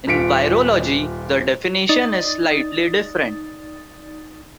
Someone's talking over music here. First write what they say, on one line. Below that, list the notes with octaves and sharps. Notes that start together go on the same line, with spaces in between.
In virology, the definition is slightly different.
D#1 F4 B6 C#7 D7
D#4 D5 D#6 A6